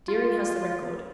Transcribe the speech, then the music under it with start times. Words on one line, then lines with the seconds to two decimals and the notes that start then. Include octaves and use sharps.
Deering has the record.
0.08 F4